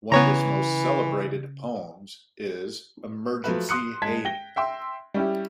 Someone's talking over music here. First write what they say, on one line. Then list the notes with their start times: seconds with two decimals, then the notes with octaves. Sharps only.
One of his most celebrated poems is "Emergency Haying".
0.12 C#3 E3 B3 C#5 A#5
3.44 F3 F#3 A3 B4
3.69 C6 D#6 F#6 C#7
4.02 G#3 A5 G#6 B6
4.25 G5 A#6 G7
4.56 E5 G5 C6 E6
5.14 G3 C#4 E4 G4